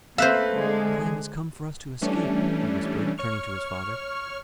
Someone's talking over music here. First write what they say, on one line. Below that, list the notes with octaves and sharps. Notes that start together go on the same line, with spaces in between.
"The time has come for us to escape," he whispered, turning to his father.
A3 A#3 C4 B4 C5 E5 F5 F#6
D3 G#3 G#4
E3 G3 A3 C#4 D4
C#5 C#6 F6